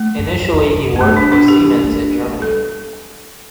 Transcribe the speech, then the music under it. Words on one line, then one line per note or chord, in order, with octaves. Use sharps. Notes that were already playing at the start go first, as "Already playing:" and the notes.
Initially he worked for Siemens in Germany.
Already playing: A3
G2
E2
G2
E2
G2
G2
A2 B3
G2 A3
G2 D4
B2 D4
G4
G3
E3
A3
D4
B3
A3
G3 A4